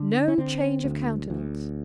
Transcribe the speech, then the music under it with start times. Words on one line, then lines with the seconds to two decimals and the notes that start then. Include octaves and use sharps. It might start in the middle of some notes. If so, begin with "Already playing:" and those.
No change of countenance.
Already playing: D3
0.28 C#4
0.38 D3 C4
0.84 D2
1.30 D2